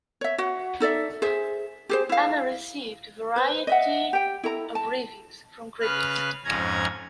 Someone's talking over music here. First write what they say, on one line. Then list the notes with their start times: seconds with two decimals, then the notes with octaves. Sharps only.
Anna received a variety of reviews from critics.
0.21 C#5 E5
0.38 F#4 F#5
0.80 D#4 A4 D5 E5
1.22 G#4 C5 E5
1.89 G4 G#4 C5
2.09 E4 F5
3.36 B4 C5
3.67 D#5 E5 F#5
4.13 G4 G5
4.43 E4 A4 A#5
4.75 A5
5.81 C#3 B4 F6 F#6
6.45 F2 G#2 C#4 A#5 G#6